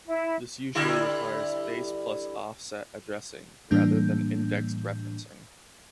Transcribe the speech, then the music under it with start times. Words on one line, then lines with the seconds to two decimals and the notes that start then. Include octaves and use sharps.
This usually requires "base plus offset" addressing, rather than indexed referencing.
0.05 E4
0.75 D3 G3 E4
3.71 A2 E3 G3 A#3 D4 G6